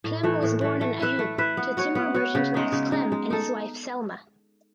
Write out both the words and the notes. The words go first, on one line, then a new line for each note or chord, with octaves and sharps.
Klemm was born in Aiud to timber merchant Max Klemm and his wife Selma.
A2
E3 A3
A2
E3 A3
A3
E4 B4 E5
A3
E4 B4 E5
B3
F#4 C#5
B3
F#4 C#5
C#3
G#3 D#4
C#3
G#3 D#4
G#3
D#4 A4